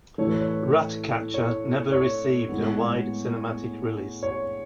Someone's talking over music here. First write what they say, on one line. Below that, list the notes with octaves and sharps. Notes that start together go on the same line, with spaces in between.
"Ratcatcher" never received a wide cinematic release.
A2 E3 A3 C#5
B4
C#5
C#5
C#5
A2 G#3 B3
C#5